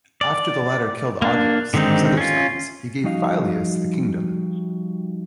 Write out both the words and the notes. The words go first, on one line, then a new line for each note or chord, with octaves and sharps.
After the latter killed Augeas and his other sons, he gave Phyleus the kingdom.
D5
A#3 D4
D3 D#3 G#3 C4 D#4
C#4 F4
F3 G3 D#4 F#4 D#5 F5